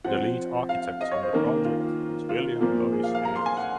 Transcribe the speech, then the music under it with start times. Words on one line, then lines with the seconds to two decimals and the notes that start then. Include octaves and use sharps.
The lead architect on the project was William Louis Ayres.
0.04 F3 C4 F#5
0.69 F5
1.01 D#5
1.11 C#5
1.22 C5
1.33 D#3 A#3 C#4 A#4
1.65 F4
2.29 F4
2.61 A#2 F3 A#3
2.93 G#4
3.03 F5
3.15 F5
3.25 A#5
3.36 C6
3.46 G#5
3.57 F#5